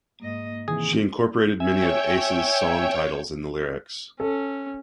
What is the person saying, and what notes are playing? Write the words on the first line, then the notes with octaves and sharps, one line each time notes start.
She incorporated many of Ace's song titles in the lyrics.
G#2 A#3 D#5
C3 D#3 E3 G#4
C#5 E5 G5 G#5
C#4 A4